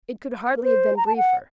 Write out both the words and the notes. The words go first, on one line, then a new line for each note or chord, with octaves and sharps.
It could hardly have been briefer.
A#4
C5
A#5
A5
F#5